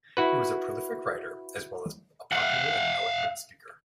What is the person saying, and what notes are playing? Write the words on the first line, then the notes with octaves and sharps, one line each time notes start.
He was a prolific writer, as well as a popular and eloquent speaker.
E4 F#4 B4
F5 F#5